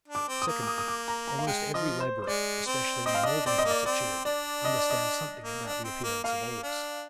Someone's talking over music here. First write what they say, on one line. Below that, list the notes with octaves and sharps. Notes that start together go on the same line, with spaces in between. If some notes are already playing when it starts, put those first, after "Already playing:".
Secondly, almost every labourer, especially in the northern parts of Chile, understands something about the appearance of ores.
D4
D6
C4
D#6
A#3
D6
D#6
D#6
D6
A#5
A#5
F5
G#3 G5
F3 D#5
C5
C5
G#3 D5
C4
C4 D#5
F5
D4 D#5
C4 D5
D#5
A#3
D5
C4 D5
D4 D5
D#5
D5
D#5
A#3
D4
C4
A#3
A#3 F5
D4